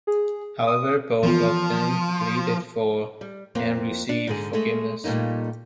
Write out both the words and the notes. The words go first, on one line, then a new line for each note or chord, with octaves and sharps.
However, both of them pleaded for, and received, forgiveness.
G#4
D#6
E3 F3 B3 F4
G3
F2 A#3 C4
D4
G#2 D3 G#4
G#3 A3 A4
A#2 G3 A3 A#3 D#4